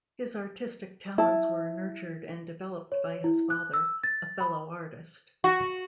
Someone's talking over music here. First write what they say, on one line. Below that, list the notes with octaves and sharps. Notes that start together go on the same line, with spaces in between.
His artistic talents were nurtured and developed by his father, a fellow artist.
E4 A5
C#5
E4
F#6
E6
A6
B5
F#4